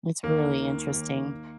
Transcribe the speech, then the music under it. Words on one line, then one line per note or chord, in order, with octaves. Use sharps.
It's really interesting.
D#2 A#3
D#3
D#3
D#3
D#2
D#2
D#3